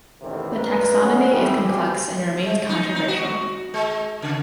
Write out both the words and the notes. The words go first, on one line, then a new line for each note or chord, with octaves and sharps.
The taxonomy is complex and remains controversial.
A1 E2 C3 D#3 E3
G2 A#4 B4
F2 A2 B3 C#4
A2 D#3 G3 G#3
A#2 E3 F3 F#4 G4
G#3
D#4
D#4
F#4
G#3
C#3